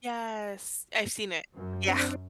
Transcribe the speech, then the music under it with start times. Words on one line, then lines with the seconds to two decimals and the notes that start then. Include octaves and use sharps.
Yes, I've seen it. Yeah.
1.55 F#2
1.88 C4 D4